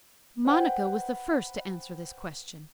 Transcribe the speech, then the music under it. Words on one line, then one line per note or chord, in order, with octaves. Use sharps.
Monica was the first to answer this question.
B4 C5 F#5 G5